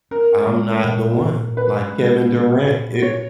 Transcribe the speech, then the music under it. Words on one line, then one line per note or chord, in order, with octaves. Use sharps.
I'm not the one." Like, Kevin Durant, it
C#4 A#4
G#3
A#2
A#2
C#4 B4
G#3
A#2
A#2
C#4 C#5